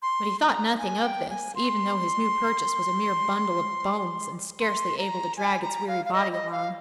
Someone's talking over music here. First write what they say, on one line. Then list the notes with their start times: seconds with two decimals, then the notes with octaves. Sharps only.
But he thought nothing of this, even though his new purchase was a mere bundle of bones and scarcely able to drag its weary body along.
0.02 C6
0.41 A#5
0.78 G#5
1.04 G5
1.30 G#5
1.55 C6
4.60 C6
4.98 A#5
5.37 G#5
5.62 A#5
5.88 F5
6.06 F5
6.13 D#5
6.32 D#5
6.51 F5